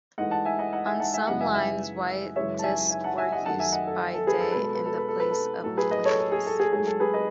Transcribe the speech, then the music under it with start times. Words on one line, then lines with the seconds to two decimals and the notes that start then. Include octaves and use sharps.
On some lines white discs were used by day in the place of lamps.
0.18 G#2 E3 A3 D#5 F#5
0.31 F#5 A5
0.45 E5 G#5
0.59 D#5 F#5
0.73 D#5 F#5
0.87 E5 G#5
1.00 F#5 A5
1.14 E5 G#5
1.27 F#2 C#3 E3 G#3 D#5 F#5
1.41 E5 G#5
1.54 E5 G#5
2.36 F#2 C#3 E3 G#3 C#5 E5
2.59 A5
2.64 E5 G#5
2.91 E5 G#5
3.04 F#5 A5
3.18 E5 G#5
3.32 D#5 F#5
3.46 F#2 D#3 A3 F#5 A5
3.59 E5 G#5
3.72 D#5 F#5
3.87 A4
4.14 A4
4.27 G#4 B4
4.41 A4
4.52 B2 G#3 B4
4.64 A4
4.75 B4
4.86 A4
4.98 B4
5.08 A4
5.20 B4
5.31 A4
5.64 A2 F#3 A3 A4
5.77 G#4 B4
5.91 B4 D#5
6.05 A4 C#5
6.19 A4
6.32 G#4
6.46 A4
6.60 G#4
6.73 G#2 F#3 A3 G#4
6.87 A4
7.00 G#4 B4
7.14 B4 D#5